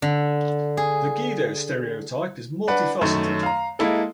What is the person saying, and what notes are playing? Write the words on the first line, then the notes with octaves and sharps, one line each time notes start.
The guido stereotype is multi-faceted.
D3
G#4
D4 B4 F#5
F#2 D#3 A3
F5 A#5
G#3 A#3 E4 A4